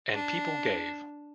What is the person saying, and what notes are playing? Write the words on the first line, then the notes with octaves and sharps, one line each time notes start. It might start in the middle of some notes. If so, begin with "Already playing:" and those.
And people gave.
D4